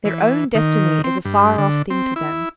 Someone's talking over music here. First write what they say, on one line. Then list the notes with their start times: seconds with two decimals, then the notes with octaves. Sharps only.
Their own destiny is a far-off thing to them.
0.05 E3
0.55 D#3
1.04 C4
1.25 G2
1.58 D3
1.90 C4
2.16 E4